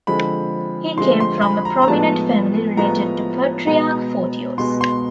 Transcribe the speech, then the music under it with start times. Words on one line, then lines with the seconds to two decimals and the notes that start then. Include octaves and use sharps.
He came from a prominent family related to Patriarch Photios.
0.07 D3 F3 G#3 C4 B5
0.97 D3 F3 G#3 C4 C6
1.20 C6
1.42 B5
1.65 A#5
1.82 A#5
1.88 A2 F3 G#3 B3 A5
2.77 A2 F3 G#3 B3 A#5
3.67 B2 G#3 B3 A#5
4.58 B2 G#3 B3 C6
4.81 C6